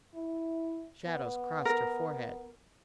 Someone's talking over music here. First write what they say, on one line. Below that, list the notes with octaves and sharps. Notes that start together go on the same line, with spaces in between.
Shadows crossed her forehead.
E4
B3
A#4